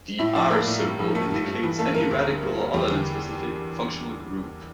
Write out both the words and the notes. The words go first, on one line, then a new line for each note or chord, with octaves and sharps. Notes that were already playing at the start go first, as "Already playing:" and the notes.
The "R" symbol indicates any radical or other non-specific functional group.
A2 E4 E5
F3 D4 D5
A3 A#3 A#4
A2
G2
F3
A3 A#3 A4
G2
G2
E3
A3 A#3 A4
G2 A#3 A#4
D2
D3
G3
A#3
E2 G3 G4
D3